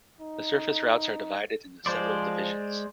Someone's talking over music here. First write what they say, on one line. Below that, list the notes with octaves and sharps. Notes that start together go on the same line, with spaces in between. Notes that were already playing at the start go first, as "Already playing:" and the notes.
The surface routes are divided into several divisions.
D#4
F3 G#3 C5 D5